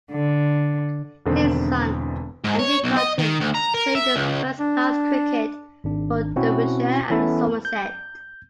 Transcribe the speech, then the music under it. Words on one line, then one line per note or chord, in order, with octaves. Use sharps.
His son, Andy Cottam, played first-class cricket for Derbyshire and Somerset.
D3
E1 E2 D3 D#3 C4
G#2
C#5
B1
D#5
D#3
D2
A#5
A#4
E5
C#2
D4
G#1 D4
B2 C4 C#4 E4 F#4
E3 B3 C#4 E4 A4
G6